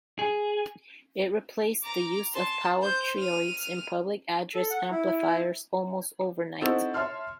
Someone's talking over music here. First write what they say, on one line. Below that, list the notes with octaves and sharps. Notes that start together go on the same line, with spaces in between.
It replaced the use of power triodes in public-address amplifiers almost overnight.
G#4
A#5 D6
A5 C6
C5 G6
F6 D#7
A4
F#5
E4
E4
C4 D#4 E4 F#4 A4
C#5 E5 A5 C6 F6